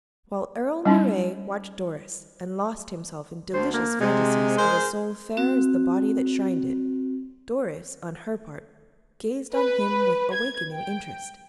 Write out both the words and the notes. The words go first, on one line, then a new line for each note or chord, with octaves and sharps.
While Earle Moray watched Doris, and lost himself in delicious fancies of a soul fair as the body that shrined it, Doris, on her part, gazed on him with awakening interest.
G3 C#4 D#4 E4
D2 C5
A#3
C3 G#3
G#4 A#4 C5
C4 F#4
B4
G#6
G5